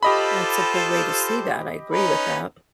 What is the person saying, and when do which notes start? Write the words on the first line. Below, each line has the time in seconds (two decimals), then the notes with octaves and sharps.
That's a good way to see that, I agree with that.
0.03 F4 G4 A4 C5 D#5 B5
1.90 C#4 D#4 B4